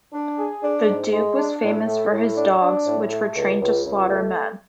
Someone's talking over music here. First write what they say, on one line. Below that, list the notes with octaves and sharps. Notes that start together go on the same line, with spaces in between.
The duke was famous for his dogs, which were trained to slaughter men.
D4
G#4
D4
G#2
G#3
D4
A2
A3
A2
D4
D4
A2
A3
C#2
C#2
C#2
A3